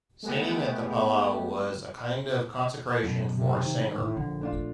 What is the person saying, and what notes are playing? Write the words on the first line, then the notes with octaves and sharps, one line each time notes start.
Singing at the Palau was a kind of consecration for a singer.
G#3 A3 B3 G4
F#2 B2
C3
D#3
A2
A#1 D3
A3 D4 F4